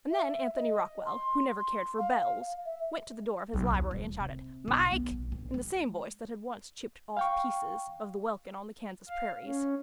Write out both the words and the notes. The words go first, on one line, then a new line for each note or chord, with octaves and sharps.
And then Anthony Rockwall, who never cared for bells, went to the door of his library and shouted "Mike!" in the same voice that had once chipped off pieces of the welkin on the Kansas prairies.
E5
D#5
C6
C6
F5
E5
B1
D#2
D#1
C3
B1
B3
B1
A#1
G#3
F5 G5 C#6
F5
C#4